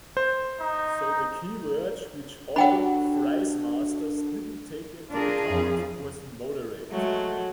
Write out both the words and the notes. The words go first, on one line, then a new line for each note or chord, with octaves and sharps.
So, the keyword which all fries-masters didn’t take into account was - moderate.
C5
D#4
D4 F#4 A4 F#5 G5 B5
D4 F4 G#4 A#4
F2
F#3 G#3 A3